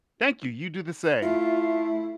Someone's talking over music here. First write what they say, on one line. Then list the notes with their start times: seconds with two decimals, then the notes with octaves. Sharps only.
Thank you, you do the same.
1.22 A3 E4 F4